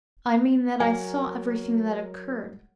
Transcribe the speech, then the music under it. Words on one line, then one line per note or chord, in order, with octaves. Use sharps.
"I mean that I saw everything that occurred."
F#3 A#4 G#5